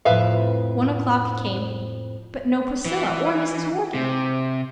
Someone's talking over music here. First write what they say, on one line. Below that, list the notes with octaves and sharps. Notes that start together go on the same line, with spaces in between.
One o'clock came . . . but no Priscilla or Mrs. Morgan.
F2 A2 F3 B4 E5 F5
E3
C3